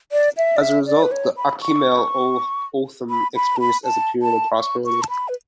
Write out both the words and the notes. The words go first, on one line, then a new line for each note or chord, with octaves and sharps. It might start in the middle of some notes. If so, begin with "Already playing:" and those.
As a result, the Akimel O'Otham experienced a period of prosperity.
D5
E5
D5
E5
D5
B4
C#5
B5
C#6
B5
B5
A5
B5
A5
A5
C#6
C#6
A5
B5
B4